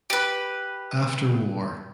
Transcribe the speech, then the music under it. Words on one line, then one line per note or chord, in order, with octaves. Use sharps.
After war.
G4 B4